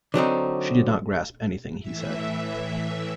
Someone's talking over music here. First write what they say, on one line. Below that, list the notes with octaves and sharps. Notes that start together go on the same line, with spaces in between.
She did not grasp anything he said.
D3 F#3 C4 D#4
A2 E3 E5